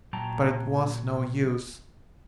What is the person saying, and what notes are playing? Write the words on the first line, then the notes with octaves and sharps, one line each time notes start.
But it was no use.
A#2 F#3 G5 A5 A#5